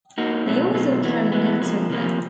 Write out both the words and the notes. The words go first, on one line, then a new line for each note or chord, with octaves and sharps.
They also carry nets with them.
A#3 D#4 F#4
B2 F#3 A3 C4
B2 F#3 A3 C4
E3 G#3 B3
E3 G#3 B3
C3 F3 A#3
C3 F3 A#3